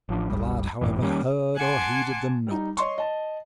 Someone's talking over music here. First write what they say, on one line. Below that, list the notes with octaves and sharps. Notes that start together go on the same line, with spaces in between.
The lad, however, heard or heeded them not.
A1 F3 D4
F#1 C2 G3
G1 F#2 A2 E3
D#3 G3 A#3 C#4
F#5 G#5 A5 C6 D6
G3 D#4
C#5 D#5 C6 C#6
D#5 A5